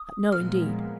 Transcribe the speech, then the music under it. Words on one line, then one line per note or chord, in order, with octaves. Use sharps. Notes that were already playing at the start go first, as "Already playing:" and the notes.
"No, indeed."
Already playing: D#6
A#2 F3 G#3 B3 F6